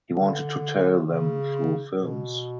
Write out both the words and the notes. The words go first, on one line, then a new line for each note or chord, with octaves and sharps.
He wanted to tell them through films.
D3
C#3
B2